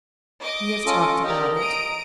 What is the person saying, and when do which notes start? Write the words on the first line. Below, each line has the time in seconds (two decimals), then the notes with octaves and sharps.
We have talked about it.'
0.43 D#5 D6 D#6
0.86 C#4 F4 A4
1.24 G4 A#4 D5 D#5
1.59 A#5 D#6 D7